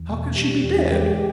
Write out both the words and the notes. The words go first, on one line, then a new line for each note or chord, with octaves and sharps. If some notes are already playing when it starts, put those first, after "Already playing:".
"How can she be dead?"
Already playing: E2
B2
G3
E2
G#3 G4